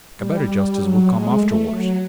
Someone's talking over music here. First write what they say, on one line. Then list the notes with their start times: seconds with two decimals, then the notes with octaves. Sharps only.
A better justice will come afterwards.
0.18 G3
0.48 G3
0.78 F#3
1.08 G#3
1.39 A3
1.69 F#3